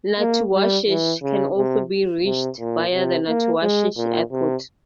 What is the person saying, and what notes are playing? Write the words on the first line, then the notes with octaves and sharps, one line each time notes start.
Natuashish can also be reached via the Natuashish Airport.
A#3
G3
E3
C#3
C3
C3
A#2
C3
A#3
G#3
A#2
C3